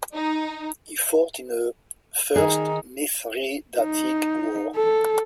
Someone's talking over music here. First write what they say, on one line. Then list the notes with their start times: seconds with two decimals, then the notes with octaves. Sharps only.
He fought in the First Mithridatic War.
0.14 D#4
2.36 D#3 D#4 G#4
3.80 D#4
4.76 A4